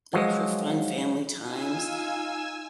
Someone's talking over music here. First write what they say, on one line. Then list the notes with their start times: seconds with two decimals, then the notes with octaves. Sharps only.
those were fun family times,
0.13 F3 F#3 G#3
1.43 D#4 F4 G#5 E6